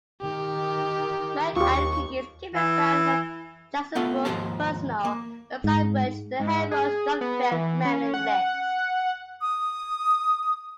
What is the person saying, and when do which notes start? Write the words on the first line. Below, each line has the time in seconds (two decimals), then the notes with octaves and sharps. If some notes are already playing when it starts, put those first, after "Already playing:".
"MilkandCookies" came about when Jaxon Brooks' personal website merged with Hellroy's Junkmail mailing list.
0.22 D#3 G4
1.56 D#2 F4 G4 C#6
2.55 E3
3.95 A3 B3 F4 A4
4.25 D#2 G#2 D#3 F3 C5 A5
5.05 A#3
5.64 G#2
6.40 G#2
6.71 G#4
7.21 B3
7.51 E3
7.85 C#4
8.14 F#5
9.41 D#6